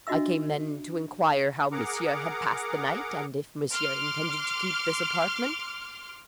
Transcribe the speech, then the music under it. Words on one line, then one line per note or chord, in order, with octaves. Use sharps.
"I came, then, to inquire how monsieur had passed the night, and if monsieur intended to keep this apartment?"
D4 F#4 D#5 E5 E6
G#4 A#4 F#5 A#5 D6
C6 D6 F6